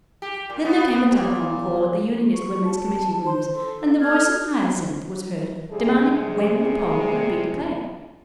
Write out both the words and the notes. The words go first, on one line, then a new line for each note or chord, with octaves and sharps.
Then there came a telephone call at the Unionist Women's Committee-rooms, and the voice of Hyacinth was heard demanding when the poll would be declared.
G4
A#2
B3
A#2 B3 G4 G5
C#6
A5
C5 C6
A4
A4 F6 F#6 G#6
C3 G3 G#3 G#4